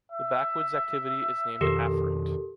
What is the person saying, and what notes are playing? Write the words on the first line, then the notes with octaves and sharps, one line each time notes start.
The backwards activity is named “afferent”.
E5
F2 B2 D#3 G4 A4 A#4